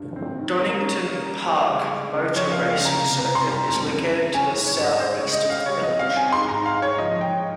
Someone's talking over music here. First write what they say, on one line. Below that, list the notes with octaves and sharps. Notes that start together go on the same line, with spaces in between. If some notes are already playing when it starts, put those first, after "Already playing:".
Donington Park motor racing circuit is located to the south east of the village.
Already playing: G2
C4
D#3
A#3
C#4
A#3
G3
G3
C#2
G#3
C#3
D#5
F3 C#5
F5
C#3
F5
C#3
A#5
C3
A#5
C3
C6
G3
A#5
F2
C#3
C#3
C#4 G#5
G#2
C#5
G3
D#5
G#3 C5
C#5
C#2
D#5
C#3
F5
G3 C#5
D#5
C4
F5
C4
G#5
G#2 C6
A#5
D#4
F5
G#2
C#5
F3 D#5
G#2 G5